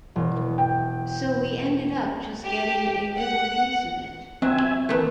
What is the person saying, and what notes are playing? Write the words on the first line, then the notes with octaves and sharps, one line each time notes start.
So we ended up just getting a little piece of it.
E1
G5
G4
F#5
F#3 C4 E5 G#5
E3 A3 A#3